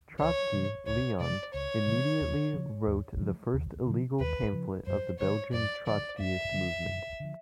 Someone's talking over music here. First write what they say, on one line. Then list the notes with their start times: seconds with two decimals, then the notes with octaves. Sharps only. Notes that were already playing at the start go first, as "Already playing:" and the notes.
Trotsky, Leon immediately wrote the first illegal pamphlet of the Belgian Trotskyist movement.
0.20 C#2 C#5
0.53 C3 E3 G#3
0.87 C#2 C#5
1.20 C3 E3 G#3 D5
1.54 C#2 C#5
1.87 C3 E3 G#3
2.21 D#2
2.54 C#3 F3
2.87 D#2
3.20 C#3 F3
3.53 D#2
3.86 C#3 F3
4.20 D#2 B4
4.53 C#3 F3
4.86 F#2 C5
5.19 D3 F3 C#5
5.53 F#2 D5
5.86 D3 F3 D5
6.20 F#2 E5
6.52 D3 F3
6.86 F#2
7.20 D3 F3